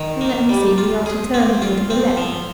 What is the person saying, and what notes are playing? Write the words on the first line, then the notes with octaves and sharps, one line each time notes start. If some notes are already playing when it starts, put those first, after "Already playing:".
Let me see;--we are to turn here to the left.
Already playing: D#3
A#3
G3
F4
G#4
C4
F4
C4
F3